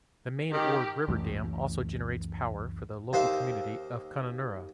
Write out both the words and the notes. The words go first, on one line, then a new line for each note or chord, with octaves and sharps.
The main Ord River dam also generates power for the local community of Kununurra.
D#3 G4
C#2 F#2 E3 A3
D#2 C5 E5 F5